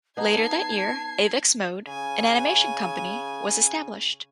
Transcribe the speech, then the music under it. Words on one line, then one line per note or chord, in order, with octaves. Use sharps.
Later that year "Avex Mode", an animation company, was established.
B3 D#4 A5 G#6 C7
C#3 G#5